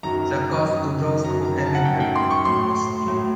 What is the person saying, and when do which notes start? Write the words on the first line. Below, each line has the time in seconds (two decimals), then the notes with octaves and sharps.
The cost to those who emigrated was steep.
0.03 F#2 D#3 F#3 A#5
0.64 F#2 D#3 F#3
1.24 F#2 D#3 F#3 A#5
1.44 A#5
1.65 A5
1.75 F#5
1.85 F#2 D#3 F#3 G5
2.00 G5
2.16 C6
2.31 C#6
2.45 A2 F#3 C6
3.06 A2 F#3